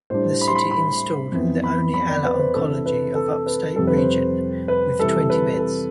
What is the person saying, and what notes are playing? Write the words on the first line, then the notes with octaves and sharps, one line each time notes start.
The city installed the only Ala Oncology of upstate region, with twenty beds.
A2 G3 D4 C5
B5
C6
B5
B5
F2 E3 B3
B5
B5
D5
B4
C5
B4
C3 E3 A3 D4 A4
B4
A4
B4
F2 C3 G3 A4
B4
C5
B4
C3 E3 G3 A4
B4
A4